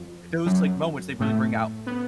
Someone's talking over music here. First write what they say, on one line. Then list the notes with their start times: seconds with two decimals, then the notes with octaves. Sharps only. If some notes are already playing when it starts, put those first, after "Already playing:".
those, like, moments, they really bring out,
Already playing: F2 F3
0.46 F#2 F#3
1.20 A2 A3
1.87 B3